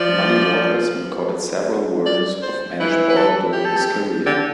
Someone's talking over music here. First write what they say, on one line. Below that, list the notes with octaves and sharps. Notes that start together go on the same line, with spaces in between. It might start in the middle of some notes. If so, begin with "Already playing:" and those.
Muddy Waters recorded several versions of "Mannish Boy" during his career.
Already playing: F3 D5
D5
C5
E3 B4
B4
A4
G4
A4
G4
D3 G4